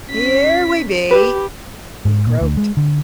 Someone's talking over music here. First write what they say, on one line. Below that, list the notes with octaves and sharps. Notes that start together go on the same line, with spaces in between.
"Here we be!" he croaked.
C#4 B6
G4 B4
G#2
A#2
D2
G#3
D3